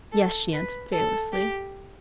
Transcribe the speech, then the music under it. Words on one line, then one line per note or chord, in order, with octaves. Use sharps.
"Yes," she answered fearlessly.
A4
B4
A4
G4